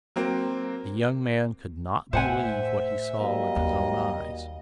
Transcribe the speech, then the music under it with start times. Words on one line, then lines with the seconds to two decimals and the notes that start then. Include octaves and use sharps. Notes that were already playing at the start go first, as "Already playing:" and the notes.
The young man could not believe what he saw with his own eyes.
0.16 F#3 A#3 C4
2.13 A2 C5 E5 F#5 G#5
3.20 F#3 G3 A#3 D#5
3.56 D#2